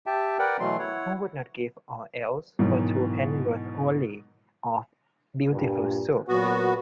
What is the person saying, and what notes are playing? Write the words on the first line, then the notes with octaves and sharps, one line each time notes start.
Who would not give all else for two pennyworth only of beautiful soup?
G4 E5 G5 A5
A#4 B4 D5 F#5 G5
B2 E3 F#3 A3 C6
E4 C#5 F#5
G#2 B2 D#3 E3 F#3
G2 A#2
A#2 F#3 B3 F#4